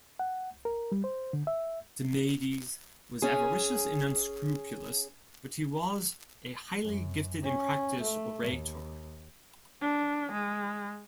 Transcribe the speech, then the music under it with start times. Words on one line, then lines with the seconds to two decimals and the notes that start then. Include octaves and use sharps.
Demades was avaricious and unscrupulous, but he was a highly gifted and practised orator.
0.19 F#5
0.65 A#4
0.92 G3
1.04 C5
1.33 D3
1.47 E5
3.22 C#4 G#4
6.82 F#2
7.43 C#4
8.01 A3
8.47 D#2
9.81 D4
10.31 G#3